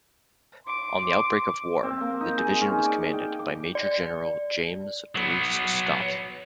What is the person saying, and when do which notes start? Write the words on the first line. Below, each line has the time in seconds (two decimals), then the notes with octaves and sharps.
On the outbreak of war, the division was commanded by Major-General James Bruce Scott.
0.67 C6 D6
1.83 C4
2.01 A#3
2.21 D#4
2.38 G#4
2.61 C#4
2.86 D5
3.13 G5
3.39 D6
3.75 D5
5.15 F#3 B3